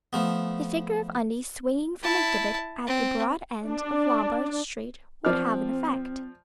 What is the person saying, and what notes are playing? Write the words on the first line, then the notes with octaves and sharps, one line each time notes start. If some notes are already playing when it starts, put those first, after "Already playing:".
The figure of Undy swinging from a gibbet at the broad end of Lombard Street would have an effect.
F3 A3 B3
E4 A5
C4
D4
F3 C4 D5 F6